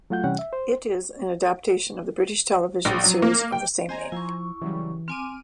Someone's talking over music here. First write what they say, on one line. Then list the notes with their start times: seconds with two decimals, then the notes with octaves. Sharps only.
It is an adaptation of the British television series of the same name.
0.10 F#3 A3 F4 F#5 G6
0.24 C3 E3 G3 C#4 F#5 G5
0.39 E5
0.53 C5
2.85 A#1
3.04 F#3
3.22 A#3
3.52 G5
3.89 C5 D#5 G#5 A#5
4.12 F3 E4 C#6
4.62 C#3 E3 F#3 G3
5.08 C4 G#5 D6 F6 D7 D#7